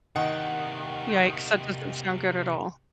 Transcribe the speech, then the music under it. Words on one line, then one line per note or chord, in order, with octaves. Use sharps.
Yikes, that doesn't sound good at all.
C3 D#3 A#3 F#5